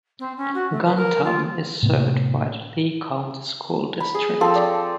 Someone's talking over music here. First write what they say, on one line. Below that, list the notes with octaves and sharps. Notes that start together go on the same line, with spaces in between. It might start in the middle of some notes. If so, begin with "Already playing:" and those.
Guntown is served by the Lee County School District.
C4
C#4
F#4
A3
B4
A#4
F4
A2 C3 A3 B3
B5
G#4
F3 C4 A4
D5